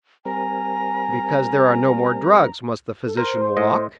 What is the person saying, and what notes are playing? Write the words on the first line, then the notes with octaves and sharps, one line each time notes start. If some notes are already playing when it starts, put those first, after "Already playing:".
"Because there are no more drugs, must the physician walk?"
G3 C4 A#4 G#5 A#5
A4
A#4 C5 C6
A2 D#5